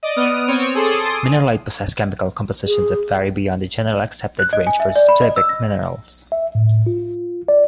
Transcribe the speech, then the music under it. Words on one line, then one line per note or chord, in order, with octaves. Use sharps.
Mineraloids possess chemical compositions that vary beyond the generally accepted ranges for specific minerals.
D5 D#5
B3 D#6 F6 D7 D#7
C4 C#5
G#4 A4 C6 D6 D#6
G#4
F#6
D#5
G#5
E5
D5
B5
D#5
E6
A#6
E5
A2
F4
D5